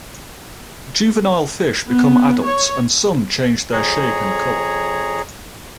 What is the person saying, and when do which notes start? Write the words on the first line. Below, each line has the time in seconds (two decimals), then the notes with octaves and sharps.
Juvenile fish become adults and some change their shape and colour.
1.89 B3
2.45 C#5
3.72 F2 G#4 C#5 A#5